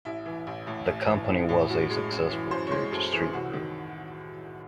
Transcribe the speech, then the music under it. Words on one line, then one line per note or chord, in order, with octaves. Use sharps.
The company was a successful beer distributor.
A1 E4
E3
A1
A2
A1
E3
A1
A2
F#2 F#4
G#3
F#2
E3
F#2 C5
C#5
G#3 C5
F#2 A4
E3 G#4
C2 F#4
D#3